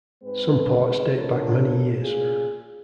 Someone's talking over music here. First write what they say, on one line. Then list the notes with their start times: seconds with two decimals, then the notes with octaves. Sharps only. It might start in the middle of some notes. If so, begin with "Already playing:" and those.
Some ports date back many years.
0.23 G#2 G#3 C4 B4
1.13 D4 F4 A4 A#4 C#5
1.99 A#2 C#3 F4 G#4